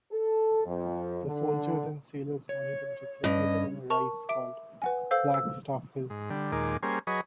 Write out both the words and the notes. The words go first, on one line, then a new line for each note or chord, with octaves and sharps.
The Soldiers and Sailors Monument is located on a rise called Flag Staff Hill.
A4
F2
D3
C#5
G2 C#4 D#5
A#4 A5 C#6 F7
E5 D6 D7
B4 F#5 G#5
A4 C5 F5 E6 G6
E6
G#2
D3 G3
D#2 A#2 G#3 D6
G3 A#3 C#4 G#4 C5
F#3 G#4 B4 C#5 D#5